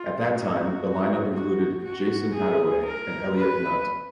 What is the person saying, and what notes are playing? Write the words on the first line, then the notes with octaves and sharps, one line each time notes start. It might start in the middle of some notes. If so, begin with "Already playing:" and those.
At that time, the line-up included Jasun Hadaway and Elliott Nutt.
Already playing: F4
F#4
F#4
F#4
G#4
A#4
B4